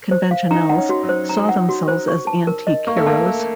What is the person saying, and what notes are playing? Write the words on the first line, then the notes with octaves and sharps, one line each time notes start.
"Conventionels" saw themselves as antique heroes.
C5
F5
D#4 A#5
F#5
C#4
F#4
F#3
C5
A#5
F#5
F#4
C5
C#6
A5
A#4
D#5
A#3 C#6
A3
A#3 A5
A#4